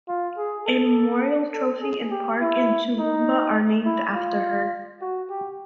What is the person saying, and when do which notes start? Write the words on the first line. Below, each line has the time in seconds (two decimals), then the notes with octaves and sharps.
A memorial trophy and park in Toowoomba are named after her.
0.08 F4
0.38 G#4
0.66 A4
1.53 A4
1.82 G#4
2.11 G4
2.41 E4
2.99 D#4
3.85 E4
4.14 F4
5.01 F#4
5.30 G4